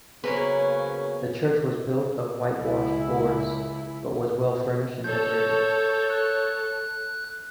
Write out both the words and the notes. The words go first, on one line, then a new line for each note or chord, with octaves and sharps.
The church was built of whitewashed boards but was well furnished and decorated.
C#3 F#3 A#3 B3 C#4 G#4 B4 C5
C#2 E4
A4 C#5 G6
F#6